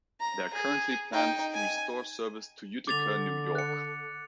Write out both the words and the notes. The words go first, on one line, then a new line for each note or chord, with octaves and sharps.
There are currently plans to restore service to Utica, New York.
A#5
G#4
D#4 G5
G#5
D3 D6 A6 F7
F#6 C#7